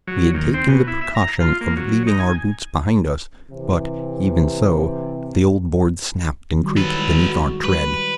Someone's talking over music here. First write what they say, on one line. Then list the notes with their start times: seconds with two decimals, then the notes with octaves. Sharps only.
We had taken the precaution of leaving our boots behind us, but, even so, the old boards snapped and creaked beneath our tread.
0.07 F#3
0.34 D#2
0.54 C4
0.68 B2
0.87 E4
1.01 E5
1.15 A#5
1.40 F4
1.61 A#3
1.76 F#3
2.07 D#4
2.19 G#5
3.50 C3 E3
6.63 D#3 F#3 G3
6.77 A4 B4
6.95 G#3 E4
7.24 F#4
7.64 G3 B4